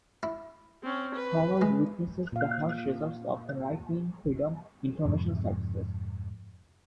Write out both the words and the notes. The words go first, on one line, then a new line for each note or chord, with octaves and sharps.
Howard witnesses the harsh results of the right-wing Freedom Information Services.
E4
C4 C#4
B4
G#3
A#2 F5
F2 G#2 C3 F3